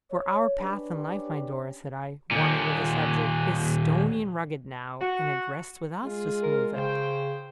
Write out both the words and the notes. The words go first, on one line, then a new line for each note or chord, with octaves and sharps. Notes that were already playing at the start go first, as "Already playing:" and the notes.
For our path in life, my Dora,' said I, warming with the subject, 'is stony and rugged now, and it rests with us to smooth it.
C#5
C#4 D4 G4 B4 D5
D#2 A#2
F#4
G#3 F4 G#4
A#4
C#3 C5 G5